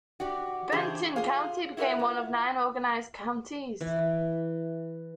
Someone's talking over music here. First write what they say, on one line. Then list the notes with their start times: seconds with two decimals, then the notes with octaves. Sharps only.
Benton County became one of nine organized counties.
0.20 F#4 G4 D5
0.72 C#3 E3 D4 G4 G#4 C5
1.16 F4 G#4 F5
1.77 E4 F#4 A#4 B4 F#5
1.99 F4
3.81 E3